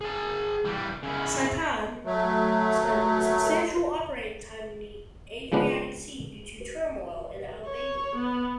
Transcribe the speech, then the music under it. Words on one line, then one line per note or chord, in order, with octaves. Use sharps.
"Saipan" spent substantial operating time in the Adriatic Sea due to turmoil in Albania.
G#4 A5
E3 G3
C#3 E4
F#3 A3
C#3 F3 G#3 B3 D4
C#5
B3